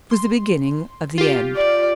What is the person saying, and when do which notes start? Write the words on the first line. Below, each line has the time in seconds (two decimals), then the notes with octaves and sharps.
It was the beginning of the end.
0.11 C6
1.18 F4 G4
1.56 D5